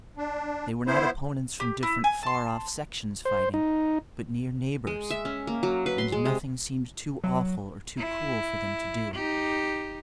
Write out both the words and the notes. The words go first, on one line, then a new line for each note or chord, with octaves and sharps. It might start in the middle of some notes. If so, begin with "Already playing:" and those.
They were not opponents from different far-off sections fighting, but near neighbors, and nothing seemed too awful or too cruel for them to do.
D4
B3 E4 C5
G4
E4
G#5
A5 C6
C5
D#4
G#3
E5
C#4
A#3
F#3
B4
C6
G#3
C3
F#3
E4
D#4 G4